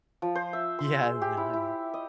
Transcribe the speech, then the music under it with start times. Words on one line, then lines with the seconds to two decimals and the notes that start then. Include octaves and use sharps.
Yeah, no, yeah.
0.22 F3
0.35 C5
0.53 E5
0.79 C6
1.03 G#4
1.21 G4
1.37 E4
1.53 E4
1.94 D#5